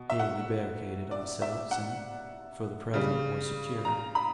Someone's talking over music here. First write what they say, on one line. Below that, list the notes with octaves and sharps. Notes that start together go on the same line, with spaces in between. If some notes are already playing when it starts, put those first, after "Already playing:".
Here we barricaded ourselves, and, for the present were secure.
Already playing: B2
E5
F#5
D5
E5
F#5
C#3 G3
A#5
B5